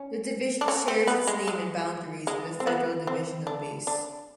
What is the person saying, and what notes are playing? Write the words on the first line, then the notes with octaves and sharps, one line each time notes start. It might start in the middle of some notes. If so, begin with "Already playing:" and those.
The division shares its name and boundaries with the federal division of Bass.
Already playing: C#4
D4
C#4
C4
B3
G#3
G#3
G#3
C4
B3
C4
D4
D4